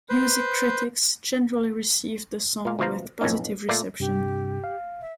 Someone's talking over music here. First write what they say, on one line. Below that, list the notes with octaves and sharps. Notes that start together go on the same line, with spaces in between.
Music critics generally received the song with positive reception.
B4 C5
A#2 F5
D2 B2 F3 C5 F5 A#5
B1 F2 A2 C#4 D#4
A#2 A3 F4 D5 F5
G2 C3 G4
F5
E5